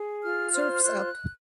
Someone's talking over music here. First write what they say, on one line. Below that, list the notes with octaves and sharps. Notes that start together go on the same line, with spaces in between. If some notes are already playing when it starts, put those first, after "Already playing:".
Serfs Up!
Already playing: G#4
F4 F6
C5 F6
F4 F#6